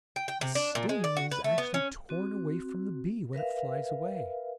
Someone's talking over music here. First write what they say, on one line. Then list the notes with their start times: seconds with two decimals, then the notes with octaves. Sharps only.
The sting is actually torn away from the bee when it flies away.
0.16 G5
0.28 G5
0.41 C3
0.55 D4
0.75 A#2
0.89 G#3
1.04 D5
1.17 F#4
1.31 B4
1.44 A3
1.58 B3
1.74 C#4
2.09 C4 F#4
3.33 A#4 B4 E5 F5